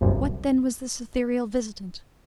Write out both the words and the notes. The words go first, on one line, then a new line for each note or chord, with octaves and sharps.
What then was this ethereal visitant?
G1 C2 F#2